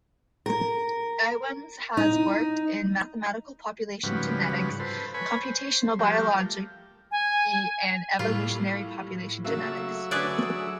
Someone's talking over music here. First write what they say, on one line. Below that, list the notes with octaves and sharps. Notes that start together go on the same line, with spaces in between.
Ewens has worked in mathematical population genetics, computational biology, and evolutionary population genetics.
A#4
D#4
G#2 C#3 F3 G3 F#4 B4
A4 B4 C5
B4 C#5 G#5 B5
C5
F3 G3 A3 G4 A#4
G#5
A2 G3 A#3 F4
C#3 F#3 A3 A#3 E5
D3 A3 C#4 G#4 B4 D5